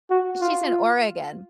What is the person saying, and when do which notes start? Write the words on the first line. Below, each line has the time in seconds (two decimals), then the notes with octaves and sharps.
She's in Oregon.
0.10 F#4
0.41 F4